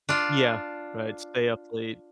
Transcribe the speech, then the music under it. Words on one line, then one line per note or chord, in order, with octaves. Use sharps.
Yeah. Right, stay up late.
D4 F4